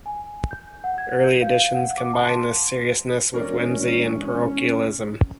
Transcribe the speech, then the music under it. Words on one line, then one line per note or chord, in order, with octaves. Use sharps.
Early editions combine this seriousness with whimsy and parochialism.
G#5
G6
F#5
G#6
G6
F5
F#5
D6
A5
C6
E1 C#4 F#4 A#4 D5